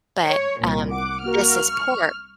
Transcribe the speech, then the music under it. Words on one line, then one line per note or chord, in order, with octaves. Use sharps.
but, um, this is por
C#5
C2 A#2
F#5 D6
A#3 F#4 A#4 F6
C#6